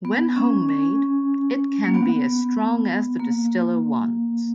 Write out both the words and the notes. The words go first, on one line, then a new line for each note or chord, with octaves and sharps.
When homemade, it can be as strong as the distiller wants.
B3
C#4
C#4
A#3
B3
A#3